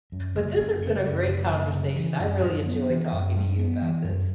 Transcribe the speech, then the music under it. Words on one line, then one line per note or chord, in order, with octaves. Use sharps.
But this has been a great conversation. I really enjoyed talking to you about this.
F#2
F#1
F#1
C#3
F#2
F#1
F#1
C#3
E3
F#2
F#2
B3
E3
F#2
F#2
B3
E3
F#2